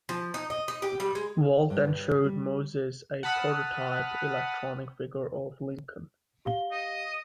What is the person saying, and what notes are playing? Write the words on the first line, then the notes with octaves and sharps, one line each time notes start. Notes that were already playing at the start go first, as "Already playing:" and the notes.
Walt then showed Moses a prototype electronic figure of Lincoln.
F3
D#4
D#5
D#4
G4
G3
G#3
G2
G3
F#5 A5 B5 D#6 F6
G4 F5 G7
D#5